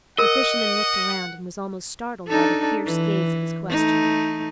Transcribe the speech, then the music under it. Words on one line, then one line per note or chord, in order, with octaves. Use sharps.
The fisherman looked around and was almost startled by the fierce gaze of his questioner.
A#4 D#5 F#5
D4 D#4 A4
E3
A3 D#4